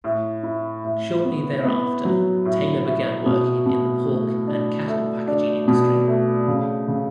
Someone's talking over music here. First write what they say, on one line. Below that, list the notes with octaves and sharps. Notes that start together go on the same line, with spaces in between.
Shortly thereafter, Taylor began working in the pork and cattle packaging industry.
A2
E4
A2
B3
B3
F#3
A2
A2
B2
B2
A3
D4
A3
D4
B2
A3
C#3
C#3